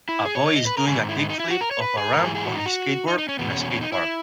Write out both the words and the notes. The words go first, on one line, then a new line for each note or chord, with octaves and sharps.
A boy is doing a kick flip off a ramp on his skateboard in a skate park.
E4
G#4
C#5
C#5
D#5
B4
A#4
G#2 D#3 G#4
E4
D#4
D#4
E4
F#4
A#4
C#5
B4
G#4
G#2 E3 A#4
G#4
G#4
F#4
D#4
F#4
D#4
D#4
C#4
E2 B2 B3
C#4
C#4
C#4
D#4
E4